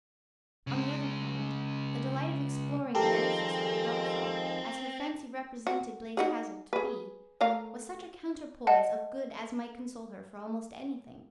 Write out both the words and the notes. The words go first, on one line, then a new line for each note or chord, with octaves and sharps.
On the other hand, the delight of exploring an edifice like Udolpho, as her fancy represented Blaize Castle to be, was such a counterpoise of good as might console her for almost anything.
C#3 G#3
D#3 F3 G#3 C4 G4 A4 A#4
F#4
D#4 F#4 G#4
G#4 B4
A3 A#4 F5
D#5 E5 F#5 A5